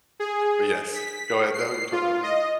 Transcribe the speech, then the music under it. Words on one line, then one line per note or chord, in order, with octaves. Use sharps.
but yes, go ahead, though. You're talking about League.
G#4
B6
C7
F4
D#5